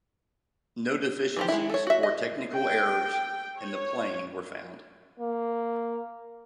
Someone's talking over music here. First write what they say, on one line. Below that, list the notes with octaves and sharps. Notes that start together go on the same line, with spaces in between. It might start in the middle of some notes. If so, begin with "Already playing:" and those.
No deficiencies or technical errors in the plane were found.
E3 F3 G4
G#3 E4
A4 C#5
F#4 E5
D#5
G5
C#5
A#3